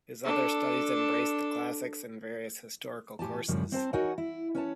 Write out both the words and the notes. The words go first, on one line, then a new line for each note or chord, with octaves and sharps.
His other studies embraced the Classics and various historical courses.
D4 A4
A2 G4 G#5 A5
F#2 A2 C#3 F3 G3
C4 C5 A5
D#4 F#4 A#4 C#5 F#5 G#5
E4
C#4 B4 C#5 G#5 A5